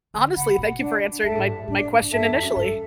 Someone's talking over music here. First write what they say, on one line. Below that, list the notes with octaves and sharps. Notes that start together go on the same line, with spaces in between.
honestly, thank you for answering my my question initially.
D3
C#3 F#5 B5
B2
D4
G2 A4 E5 A5
A2
G2
A2 D4
F#2
G2 A4 E5 A5
E2
F#2
G2 A4